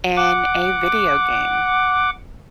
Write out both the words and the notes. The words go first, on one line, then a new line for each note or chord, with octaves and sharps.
in a video game.
F#5 D6